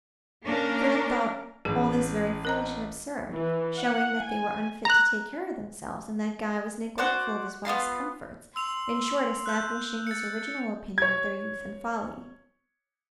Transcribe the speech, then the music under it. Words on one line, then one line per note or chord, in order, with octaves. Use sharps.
Philip thought all this very foolish and absurd, showing that they were unfit to take care of themselves, and that Guy was neglectful of his wife's comforts: in short, establishing his original opinion of their youth and folly.
A#3 C#4 D4 A#4
A1 G#4
A#4 D#5 A#5
E3
F#5
G#5
A#5 F#6
F#4 C5 D5
B3 E4 F4 C6
C6 E6 F7
F#6 G6
A6 C#7
C#5 G#6